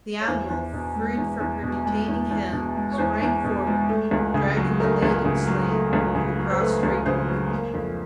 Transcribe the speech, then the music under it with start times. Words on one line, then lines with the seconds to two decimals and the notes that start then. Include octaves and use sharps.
The animal, freed from her detaining hand, sprang forward, dragging the laden sleigh over the prostrate woman.
0.20 C#5
0.27 E2 C5
0.50 E2
0.73 B2
0.95 G#3
1.17 E2
1.40 E2
1.63 B2
1.86 G#3
2.08 E2
2.31 E2
2.53 B2
2.76 G#3
2.92 C#5
2.98 E2 C5
3.22 E2
3.44 B2
3.67 G#3
3.89 A3
4.11 C#2
4.34 C#3
4.57 F#3
4.80 A3 A#4
5.02 C#2
5.25 C#3
5.47 F#3
5.70 A3
5.93 C#2
6.15 C#3
6.38 F#3
6.50 C5
6.60 A3 B4
6.83 C#2
7.06 C#3 C5
7.28 F#3
7.50 A#3
7.74 F2